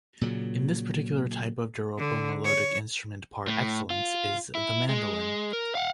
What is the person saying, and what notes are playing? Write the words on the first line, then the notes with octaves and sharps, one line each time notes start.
In this particular type of joropo melodic instrument par excellence is the mandolin.
A#2 C#3 F#3
D3
C#5
A2
F4
E4
G#3
A#4
F5 F#5